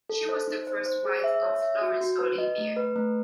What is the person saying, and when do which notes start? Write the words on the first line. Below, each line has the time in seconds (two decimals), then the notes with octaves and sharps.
She was the first wife of Laurence Olivier.
0.09 A4
0.29 C5
0.48 D#4
0.67 C5
0.86 C5
1.05 G#4
1.24 E5
1.43 C#5
1.62 E5
1.81 F#4
2.01 F#4
2.19 B4
2.38 D#5
2.58 A3
2.76 B4
2.96 A3